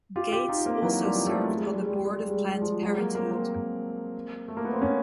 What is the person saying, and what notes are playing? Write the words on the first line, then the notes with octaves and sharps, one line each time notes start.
Gates also served on the board of Planned Parenthood.
F4 G4
F4 G4
D#4 F4
A#3 C4
E3 F#3
F3 G3
G3 A3
G3
G#3
G3
G#3
G3
G#3
G3
G#3
G3
G#3
G3
G#3
G3
G#3
F3 G3
F#3 G#3
G#3 A#3
A#3 C4
A#3 C4
A3
A#3
B3
C4
B3 C#4